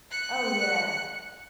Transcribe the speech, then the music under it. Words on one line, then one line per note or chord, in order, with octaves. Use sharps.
Oh, yeah.
F#6 C#7